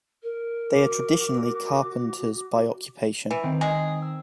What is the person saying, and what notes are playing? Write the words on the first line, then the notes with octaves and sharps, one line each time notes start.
They are traditionally carpenters by occupation.
A#4
F#4 D6
E3
D#3 C4
G#3 G#4
E6